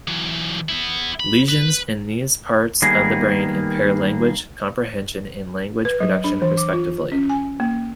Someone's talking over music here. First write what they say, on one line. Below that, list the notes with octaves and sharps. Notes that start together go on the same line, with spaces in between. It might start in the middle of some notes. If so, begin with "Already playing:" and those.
Lesions in these parts of the brain impair language comprehension and language production, respectively.
E3 F#3
B3 E4
B5
B4
D#3 G3 A#3 B3 G#4
B4
F#3
D4
E3
D6
F4
C#4
G#5
A#3